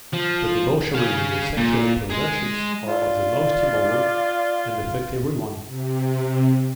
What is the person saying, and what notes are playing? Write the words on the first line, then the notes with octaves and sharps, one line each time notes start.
The debauchery and the sexual perversions are of the most immoral, and affect everyone.
F3
G#4 F5
A#2
G#3 G#4
F4 D5
C3